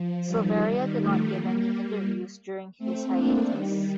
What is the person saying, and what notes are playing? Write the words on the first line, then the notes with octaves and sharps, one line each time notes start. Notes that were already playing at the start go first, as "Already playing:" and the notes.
Silveria did not give any interviews during his hiatus.
Already playing: F3
D#3 G3
D#3 G3
F3 A3
G3 A#3
G3 A#3
A3 C4
A#3 D4
D#3 G3